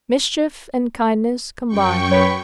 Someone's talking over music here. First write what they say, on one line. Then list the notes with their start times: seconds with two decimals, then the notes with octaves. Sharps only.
Mischief and kindness combined.
1.68 F#2 G5 C#6
2.11 B4 C#5